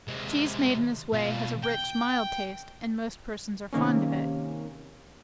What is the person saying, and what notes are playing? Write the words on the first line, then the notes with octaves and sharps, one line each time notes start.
Cheese made in this way has a rich, mild taste, and most persons are fond of it.
C3 G#3
B2 F4
G5
C3 D#3 A#3 C#4